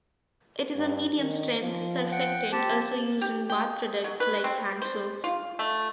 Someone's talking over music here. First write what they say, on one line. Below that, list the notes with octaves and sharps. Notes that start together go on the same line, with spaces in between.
It is a medium strength surfactant also used in bath products like hand soaps.
G2
D#3
F3
F#5 G5
C4 G4 A5
G4
G5
F#3
B4
C4
C5
F4
A3